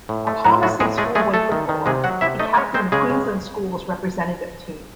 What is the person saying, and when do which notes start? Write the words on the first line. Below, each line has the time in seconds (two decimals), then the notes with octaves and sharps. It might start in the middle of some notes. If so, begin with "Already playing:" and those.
A promising schoolboy footballer, he captained the Queensland schools' representative team.
0.09 A2
0.27 A3
0.44 A2 F#3 F#4
0.63 F#3 F#4
0.80 A2 G#3 G#4
0.97 G#3 A3 G#4
1.15 G#3 A3 G#4
1.34 A3 A4
1.52 D#3
1.69 D#3
1.86 C3 G#3 G#4
2.04 F#3 F#4 F#5
2.21 C3 E4 E5
2.39 A3 D#4 D#5
2.57 G#3 C#4 C#5
2.74 G#3 C4 C5
2.92 C#3 G#3 G#4
3.10 C#3